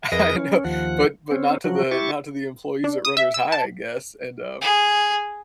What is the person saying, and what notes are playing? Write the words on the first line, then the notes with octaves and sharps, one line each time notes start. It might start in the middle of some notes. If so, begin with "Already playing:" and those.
I know, but but not to the not to the employees at Runners High, I guess, and um,
F2 G#4 A#4 B4 D#5 A#6
C#4
D#2 F3 F#5
C4 C#4
F3 F#3 F#4
E4 G4 C#6 A6
D4
D#6
E5
E6
A5
G#4